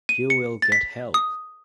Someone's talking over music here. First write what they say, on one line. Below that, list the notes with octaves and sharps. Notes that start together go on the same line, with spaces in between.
You will get help.
D#7
C#7
A6
B6
D#6